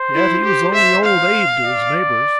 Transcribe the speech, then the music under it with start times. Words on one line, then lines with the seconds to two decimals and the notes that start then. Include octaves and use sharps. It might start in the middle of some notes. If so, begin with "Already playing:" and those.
Yet he was only "Old Abe" to his neighbors.
Already playing: C5
0.15 E4
0.45 G4
0.74 E5
1.05 F5
1.65 D5